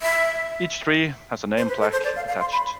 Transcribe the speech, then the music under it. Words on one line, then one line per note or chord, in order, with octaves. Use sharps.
Each tree has a name plaque attached.
E5
C5
B4
A4
C5
D5
F5
F5
C6
B5